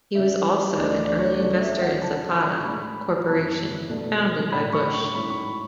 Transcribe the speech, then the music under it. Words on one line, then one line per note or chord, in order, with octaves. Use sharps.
He was also an early investor in Zapata Corporation, founded by Bush.
C#3 F#3 C#4 E5
D2 D3 A3 D5
D5
C#5
C#3 F#3 A3 D5
E5
F#5
C#3 F#3 C#4 A5
C#6
A2 G#3 D4 B5
F#2 E3 B3 E4 A5
B2 A3 D4
A2 F#3 A3 D4 B5
C#6
C#6
G#2 F#3 C#4 E4 B5
C#6